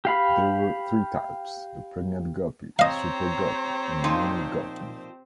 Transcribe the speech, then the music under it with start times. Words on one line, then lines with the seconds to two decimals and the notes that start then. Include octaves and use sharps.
There were three types: the Pregnant Guppy, Super Guppy, and Mini Guppy.
0.05 G4 F5 B5
2.79 C4 G4 C5 C#5 D#5 F5 A#5
4.04 A#2 F3 D#4